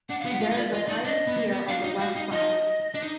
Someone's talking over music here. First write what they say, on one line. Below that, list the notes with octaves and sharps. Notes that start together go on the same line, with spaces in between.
There is a private pier on the west side.
D4 F#5
F5
B3
F#5
F4 F5
D#4
F4 D5
F4 D#5
D#4 D5
D4 D#5
B3
A#3
B3
D4 F5
D#4
F#4 F5
D#4
D#4 D#5
D4
D#4